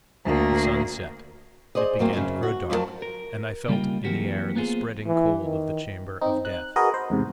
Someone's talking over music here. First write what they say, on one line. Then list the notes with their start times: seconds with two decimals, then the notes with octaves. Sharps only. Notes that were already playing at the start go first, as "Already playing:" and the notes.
The sun set; it began to grow dark, and I felt in the air the spreading cold of the chamber of death.
0.25 D2 A#3
1.75 G#4 C5 D5 D#5
1.99 E2 F#3 A#3 C4
2.13 F#2 C#3
2.43 F#4
2.70 F2 F#3 F4 A#4 A5
3.02 A#4
3.68 C#3 G3 A#3 F4 D#5 G5
4.04 E3 F#3 A#3 C4 F#4 G4
4.55 A#3 B3 F4 G#4 C5
5.07 E3
5.44 D#3
6.21 C4 D#4
6.45 F#6
6.76 F#4 G#4 A#4 B4 D#5
6.94 C5
7.10 E2 G#2 C3